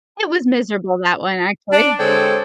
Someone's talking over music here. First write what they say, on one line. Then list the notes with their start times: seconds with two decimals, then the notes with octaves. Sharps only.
It was miserable that one, actually.
1.73 D4
2.00 D3 G#3 C4 G4 A4 C#5